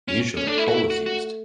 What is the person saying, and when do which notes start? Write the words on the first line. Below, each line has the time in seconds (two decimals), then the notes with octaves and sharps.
Usually, coal is used.
0.08 C#4
0.37 A3 C#4
0.47 D4
0.58 E4
0.68 F#4
0.74 E4
0.90 F#4
1.06 F#4